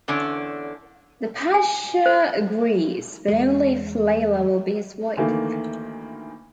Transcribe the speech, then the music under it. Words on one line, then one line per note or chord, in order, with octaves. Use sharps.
The pasha agrees, but only if Leila will be his wife.
E2 D3 C#4 D4
G#5
C5
E2 G#3
D2 D#3 E3 A3 A#3